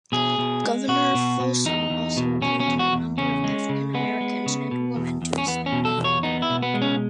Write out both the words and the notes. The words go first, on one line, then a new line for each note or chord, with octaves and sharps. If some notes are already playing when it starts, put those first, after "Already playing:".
Governor Folsom also appointed a number of African Americans and women to his staff.
B2 G#4
B2
G#3
B2 F#4
B2
B2
E2 D#4
E2
B2
B2 C#4
C#4
E2
F#4
E2
C#3 C#4
G#3
C#3
G#3 B3
G#3
C#3
B2
E2
E2
C#4
E2 B3
C#4
B2
A4
E2
C#5
B3 D#4
E4
B2
B3
G#3
C#4